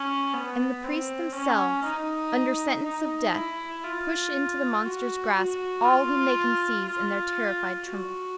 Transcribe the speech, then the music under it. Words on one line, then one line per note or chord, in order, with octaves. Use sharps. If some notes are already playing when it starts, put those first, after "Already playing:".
And the priests, themselves under sentence of death, push into the monster's grasp all whom they can seize in their terrified, trembling fingers.
Already playing: C#4
B3
C4
C#4
D#4
D#4
E4
F4
F#4
F#4
F4
F4
F#4